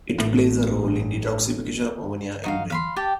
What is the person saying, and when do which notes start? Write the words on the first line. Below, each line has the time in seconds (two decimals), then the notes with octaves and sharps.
It plays a role in detoxification of ammonia in brain.
0.18 A1 A2
2.44 D#4 F#4 F5
2.70 F5 B5 C6
2.96 G4 G5 A5 D6